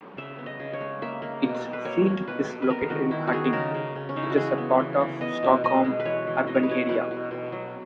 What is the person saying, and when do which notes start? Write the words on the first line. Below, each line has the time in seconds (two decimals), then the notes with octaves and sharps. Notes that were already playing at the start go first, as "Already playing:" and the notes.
Its seat is located in Huddinge, which is a part of Stockholm urban area.
0.17 C#3 E5
0.38 B3
0.46 D#5
0.60 C#3
0.73 C#5
0.81 G#3
1.02 A#3 E5
1.22 A#3
1.43 B2
1.65 B2
1.73 B4
1.85 A#3 C#5
2.06 A#3
2.28 B2 B4
2.49 B2
2.62 B4
2.69 B3 A#4
2.90 D#3 F#4
3.11 D#3 E4
3.27 F#4
3.33 D#3 G#4
3.53 C#3 A#4
3.74 C#3
3.96 C#3
4.09 C#4
4.16 C#3 D#4
4.23 E4
4.30 F#4
4.37 E3 G#4
4.58 B3
4.79 E3
5.01 E3
5.21 B3 D#5
5.43 B2
5.64 B2 D#5
5.84 G#3
6.00 B4
6.05 E3 C#5
6.27 E3
6.47 E3 D#5
6.55 C#5
6.63 B4
6.68 B3 C#5
6.89 B2 B4
7.11 B2
7.31 B2
7.52 F#3